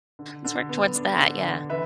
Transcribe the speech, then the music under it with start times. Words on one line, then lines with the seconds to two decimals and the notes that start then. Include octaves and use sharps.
Let's work towards that. Yeah.
0.19 D3
0.45 D3
0.69 B3
0.95 D4
1.19 D3
1.45 D3
1.69 E3 B4 E5